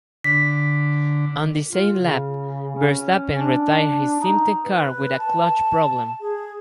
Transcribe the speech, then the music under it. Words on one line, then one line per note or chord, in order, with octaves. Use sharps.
On the same lap, Verstappen retired his Simtek car with a clutch problem.
D3 B6
F4
C#3
C#4
D4
D#4
B4
A5
G#4